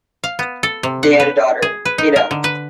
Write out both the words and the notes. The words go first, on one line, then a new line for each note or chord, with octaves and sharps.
They had a daughter: Itta.
F5
B3
A4
C3
F#5
B4
G#4
B4
D#4
A#4
D3
B4